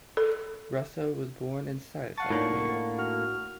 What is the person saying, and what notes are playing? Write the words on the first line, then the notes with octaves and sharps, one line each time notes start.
Russo was born in Syosset, New York.
A4
F5 F#5 A5 C#6 A6
A2 A#3 D4 D#4 F4 C#5
F#4 F6